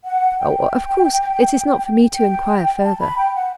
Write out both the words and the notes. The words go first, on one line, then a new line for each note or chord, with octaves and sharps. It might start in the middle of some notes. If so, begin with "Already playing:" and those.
"Of course it is not for me to enquire further."
F#5
G5
G5
A5
B5
G5
F#5